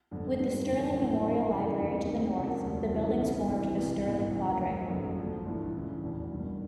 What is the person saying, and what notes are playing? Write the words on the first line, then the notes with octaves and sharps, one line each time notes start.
With the Sterling Memorial Library to the north, the buildings formed the Sterling Quadrangle.
G1 F2 D3
G#2 D#3 G3
F#1 E2 C#3
A2 F#3 B3 E4
G1 F#2 D3
F1 F2 C#3 E3 G#3
D#2 D#3 G3 C4 D#4
G2 D#3 G#3 C4
C#2 C#3 F3 A#3
E1 D2 D3 G3
C#2 C#3 E3 G3
A1 G2 D#3 G3
G2 E3 G3 C4 E4
C2 B2 G3 B3
A#1 G#2 E3
D#2 C#3 F#3
F#2 D#3 F#3
G1 F2 C#3 F#3 B3
D2 D3 F3
G1 G2 E3
C#2 C#3 E3
F1 E2 B2
G1 G2 D#3